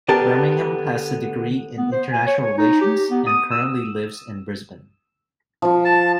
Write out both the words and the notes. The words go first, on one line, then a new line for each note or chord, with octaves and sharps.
Birmingham has a degree in international relations and currently lives in Brisbane.
D3 B3 G4 A#4 A5
B3
C5
G#5
C#5
C#5
D#4
G4
B3
D#6
E6
F3 F4
A5